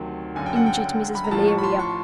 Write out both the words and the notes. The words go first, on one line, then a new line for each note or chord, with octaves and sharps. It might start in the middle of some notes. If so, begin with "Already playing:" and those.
Injured Mrs. Valeria!
Already playing: D2 C3 D#3 F#3 G5
F#1 F#2 D3 G#5
G5
F#5
G5
B5
A#5
A1 A2 F3 A5
C#6
B5
C6
C#6